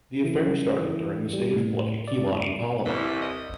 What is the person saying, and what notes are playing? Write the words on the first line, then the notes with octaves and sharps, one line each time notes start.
The affair started during the stage play "Kelani Palama".
E3
C#3
E3
G3
A2
D5
C2 E3
D#5